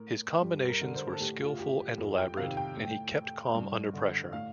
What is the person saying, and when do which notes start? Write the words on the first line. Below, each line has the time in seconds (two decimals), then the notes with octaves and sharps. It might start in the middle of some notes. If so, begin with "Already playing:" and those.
His combinations were skillful and elaborate, and he kept calm under pressure.
Already playing: A2 A#4
0.42 G2 G4
0.69 A#4
0.81 D3
0.95 C5
1.13 A4
1.20 A2 G4
1.40 F4
1.59 G4
1.79 G4
1.98 F2
2.18 G5
2.37 C3 D#3 F5
2.57 G5
2.76 A2
3.55 G2
3.93 D3
4.33 A2 F5